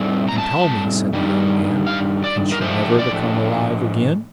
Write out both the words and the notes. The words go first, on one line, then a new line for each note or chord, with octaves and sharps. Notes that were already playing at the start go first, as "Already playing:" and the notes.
"And tell me," said the young man, "can she never become alive again?"
Already playing: A2 G3 C4
A#5
A5
G2 D#3 G3
F5
D5
A#4
A2 F3 A3 D4 C5
D5